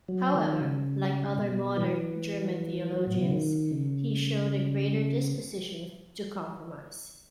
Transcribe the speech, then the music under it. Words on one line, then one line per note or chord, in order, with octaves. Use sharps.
However, like other modern German theologians, he showed a greater disposition to compromise.
F#3
D#3
C#3
C#3
B2
E3
F#3
A2
B2
C#3
D#3
C#3